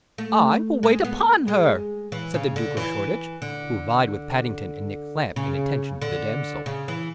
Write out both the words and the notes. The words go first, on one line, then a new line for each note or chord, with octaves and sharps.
"I will wait upon her," said the Duke of Shoreditch.' who vied with Paddington and Nick Clamp in attention to the damsel.
A3
G#3
B3
G#3
E3
C#3
D3
E3
D3
C#3
D3
C#3
E3